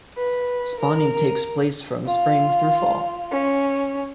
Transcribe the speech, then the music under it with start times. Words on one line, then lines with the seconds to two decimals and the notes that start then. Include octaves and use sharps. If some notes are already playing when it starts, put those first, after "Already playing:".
Spawning takes place from spring through fall.
0.17 B4
0.80 A#4
2.06 F4
3.31 C#4